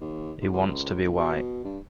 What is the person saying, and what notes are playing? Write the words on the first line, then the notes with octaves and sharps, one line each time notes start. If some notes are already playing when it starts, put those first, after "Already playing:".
He wants to be white.
D#2
G#2
C#2
C#2
F#1
B2
G2